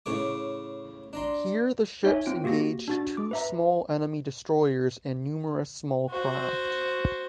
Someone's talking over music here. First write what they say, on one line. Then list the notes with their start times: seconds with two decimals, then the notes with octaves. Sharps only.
Here the ships engaged two small enemy destroyers and numerous small craft.
0.06 A2 C#3 C#5 D6
1.13 D4 A#5 C6
2.04 D#4 C#5 E5 G#5
2.26 C4 F4 D7
2.44 A#3 F#4 G4 A#6
2.88 D4 F#4 A6
3.17 D6
3.31 B4 E5 A#5
6.10 F#4 C5